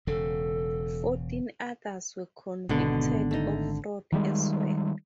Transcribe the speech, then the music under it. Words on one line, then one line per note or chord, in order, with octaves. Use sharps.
Fourteen others were convicted of fraud as well.
E1 C#3 A4
G#1 B2 D3
A3 D#4
D#3 E3 G3 G#3